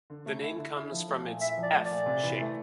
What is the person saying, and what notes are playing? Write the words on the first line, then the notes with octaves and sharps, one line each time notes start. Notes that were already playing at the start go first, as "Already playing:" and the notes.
The name comes from its "F" shape.
D3
A3
E4
D3
E4
F3
A3
A#2
E4 E5
F3 D5
A3
D5
A#2
C3
E3
A3